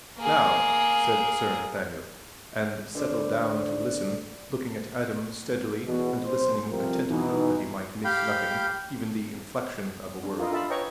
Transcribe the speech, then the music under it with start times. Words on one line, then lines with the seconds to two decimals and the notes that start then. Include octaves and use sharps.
"Now!" said Sir Nathaniel, and settled down to listen, looking at Adam steadily and listening attentively that he might miss nothing--even the inflection of a word.
0.18 A#3 G#4
2.95 D3 C5 D5
5.86 E2 B2
6.24 B1 C5
6.69 C2 F2 F3 C4 A#4
7.09 B2 E3 D#4
8.05 G4 F5 G5 B5
10.23 D4
10.38 E4 F4 A#4 D#5
10.51 D4 F4 A4 E5 A5 B5
10.70 B4 C#5 D#5 G5 A#5 C#6